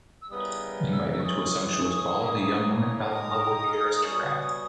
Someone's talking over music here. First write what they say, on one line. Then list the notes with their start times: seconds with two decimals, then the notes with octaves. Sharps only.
Invited to a sumptuous ball, the young woman fell in love with the aristocrat.
0.22 E6
0.30 C#3 G3 B3 E4 A#4 D#6
0.92 E6
1.11 E6
1.19 C#6
1.23 E3 G#3 C#4 G4 C#5 D#6
2.17 G2 E3 A#3 C#4 E4
3.11 A#2 G#3 D#4 A#4 D#6
4.04 B2 G3 C#4